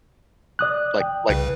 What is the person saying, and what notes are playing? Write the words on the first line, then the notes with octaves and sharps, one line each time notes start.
Like like,
D5 D#6 F#6
G5
C2 C#3 B4